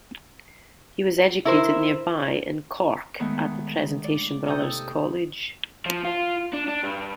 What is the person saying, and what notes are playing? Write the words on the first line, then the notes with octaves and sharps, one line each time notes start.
He was educated nearby in Cork at the Presentation Brothers College.
E4 A#4 C5
D#3 G#3 A3 B3
D5
C3 D#4 A4 D#6 G6
F3
F4
D4
D4
G2